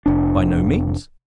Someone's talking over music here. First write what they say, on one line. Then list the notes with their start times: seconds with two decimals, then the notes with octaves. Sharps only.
"By no means."
0.06 F1 D4